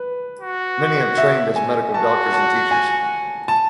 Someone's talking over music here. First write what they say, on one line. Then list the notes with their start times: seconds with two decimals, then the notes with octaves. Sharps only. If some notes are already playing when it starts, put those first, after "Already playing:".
Many have trained as medical doctors and teachers.
Already playing: B4
0.40 F#4
1.18 E5
1.56 G#5
1.94 F#4 A5
2.32 A5
2.71 G#5
3.48 A5